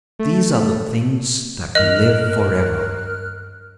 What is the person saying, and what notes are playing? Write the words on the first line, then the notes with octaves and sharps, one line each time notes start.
These are the things that live for ever.
A3
G2 A#4 D#5 F6 F#6